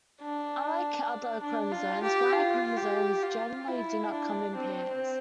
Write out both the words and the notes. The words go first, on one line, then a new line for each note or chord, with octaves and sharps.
Unlike other chromosomes, Y chromosomes generally do not come in pairs.
D4
D4
F4
G4
F4
G4
F4
E4
D4
C4